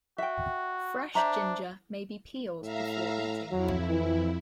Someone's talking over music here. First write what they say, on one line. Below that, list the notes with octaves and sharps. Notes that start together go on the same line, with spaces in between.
Fresh ginger may be peeled before eating.
F#4 E5 G5
D4 C5 E5 A#5
A2 E5 F5 A#5
F2 F#3 E4
E3